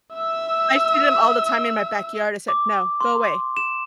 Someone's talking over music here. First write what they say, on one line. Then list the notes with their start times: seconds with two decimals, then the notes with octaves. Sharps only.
I see them all the time in my backyard. I said, "No, go away.
0.15 E5 E6
2.48 D6
3.01 C6
3.57 E7